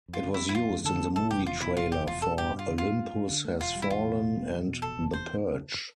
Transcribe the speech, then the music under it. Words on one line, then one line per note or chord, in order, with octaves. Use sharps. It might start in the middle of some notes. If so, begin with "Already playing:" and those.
It was used in the movie trailer for "Olympus Has Fallen" and "The Purge".
F2
F4
D3
E4
G3
E4
F2 F4
F2
D3 A4
G3
F1 A4
F1 G4
E2 F4
B2 E4
F1 F4
F1 G4
E2 F4
B2 A4
G2 G4
G2
F4
D3
A3 F4
G2
G2
D3
A3
E1 F4
G3
E4
E2 F4
B2
E1
G3
E2
B2
F1 A4
F1
E2 C5